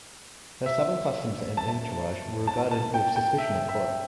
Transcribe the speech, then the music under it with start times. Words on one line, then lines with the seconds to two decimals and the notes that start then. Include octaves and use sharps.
Her southern customs and entourage were regarded with suspicion at court.
0.66 E5
1.57 A5
2.47 A5
2.71 A5
2.94 G5
3.16 G5
3.38 E5
3.69 E5